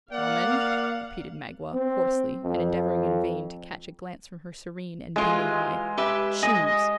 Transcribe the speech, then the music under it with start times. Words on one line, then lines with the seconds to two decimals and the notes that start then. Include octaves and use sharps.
"Woman," repeated Magua, hoarsely, and endeavoring in vain to catch a glance from her serene and beaming eye, "choose!"
0.12 A#3 D5 F5 F#5
1.74 C4
2.45 F2
5.16 E3 G#3 F4
5.97 G4 B4 E5
6.43 D#5 G#5